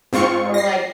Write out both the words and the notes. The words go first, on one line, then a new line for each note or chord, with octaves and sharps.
or, like,
G#2 C4 F4 C#6 C#7
A#6 C7